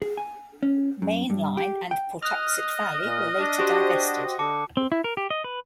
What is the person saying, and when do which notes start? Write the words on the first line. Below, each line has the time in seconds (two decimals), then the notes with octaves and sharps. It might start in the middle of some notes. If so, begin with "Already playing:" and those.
Maine Line and Pawtuxet Valley were later divested.
0.02 G#4
0.17 G#5
0.63 C#4
1.02 F#2
1.30 G2
1.57 G4
1.91 G5
2.22 D#5 D#6 F6 F#6
3.04 A#2
3.39 D4
3.58 F#4 G4 C5
4.39 D3 A5 D6 C#7
4.77 C4
4.92 E4
5.04 A#4
5.17 G4
5.30 D#5
5.44 B4